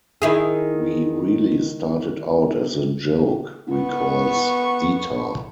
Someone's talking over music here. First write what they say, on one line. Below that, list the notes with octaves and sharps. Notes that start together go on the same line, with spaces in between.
"We really started out as a joke," recalls Detar.
D#3 E4 G#4
B3 C#6